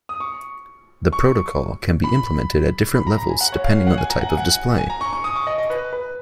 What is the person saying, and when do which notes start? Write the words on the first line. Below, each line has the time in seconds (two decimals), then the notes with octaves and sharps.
The protocol can be implemented at different levels depending on the type of display.
0.09 D#6
0.20 C#6
1.13 C#6
2.04 B5
2.95 B5
3.07 A#5
3.18 A#5
3.30 G#5
3.41 F#5
3.52 C#5
3.64 F5
3.87 F#5
3.98 G#5
4.10 A#5
4.21 F#5
4.29 G#5
4.37 F#5
4.78 G#5
4.90 A#5
5.01 C#6
5.13 C#6
5.24 D#6
5.36 C#6
5.47 D#5
5.58 D#5
5.70 B4
5.93 B4